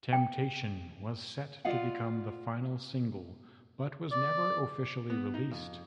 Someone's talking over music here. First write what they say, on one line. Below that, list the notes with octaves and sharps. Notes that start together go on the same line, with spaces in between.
"Temptation" was set to become the final single but was never officially released.
G5
F4 D5 D#5 F5 F#5
D5
B3
D#4
F2